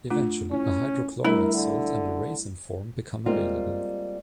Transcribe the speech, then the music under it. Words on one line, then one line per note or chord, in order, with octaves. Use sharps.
Eventually a hydrochloride salt and a resin form became available.
A3 D4 F4
C#4 E4
G3 A3 D4 E4 A#4
D3
G3 G#3 A#3 C4 F4